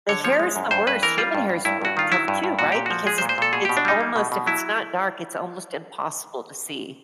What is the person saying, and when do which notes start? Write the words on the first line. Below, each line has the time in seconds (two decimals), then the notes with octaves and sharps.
The hair is the worst. Human hair is r tough too, right? Because it's it's almost if it's not dark, it's almost impossible to see.
0.09 D3 C#5
0.24 F3 C#5
0.39 G#3
0.56 F#2
0.71 G2 C5
0.87 G2 B4
1.02 E3 A#4
1.18 G3 F4
1.35 G2
1.49 G2
1.65 G2 E4
1.81 G2 F#4
1.97 D#3 F4
2.12 F#3 E4
2.28 G2
2.44 G2
2.59 A#2 F#4
2.72 A#2 G4
2.86 F3 F#4
3.07 G#3 G#4
3.18 C5
3.22 A#2
3.29 C5
3.38 A#2 A4
3.53 B2 G#4
3.65 B2 G4
3.77 D4
3.85 G3 D#4
4.01 A#3
4.16 B2
4.32 B2
4.46 F#3 E4